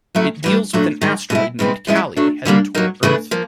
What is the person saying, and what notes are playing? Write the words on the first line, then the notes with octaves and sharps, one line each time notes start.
It deals with an asteroid named Kali headed toward Earth.
F#3 A3 C#4 E4
E3 G3 B3 D4
A#2 F#3 A3 D4
D#3 G#3 C4
B2 G#3 C4 E4
C#3 E3 G#3 C4 E4
F3 G#3 C#4 E4
F#3 A3 D4
D3 G3 A#3 D4
F#3 A#3 D#4
C#3 E3 A3 D4
F3 A#3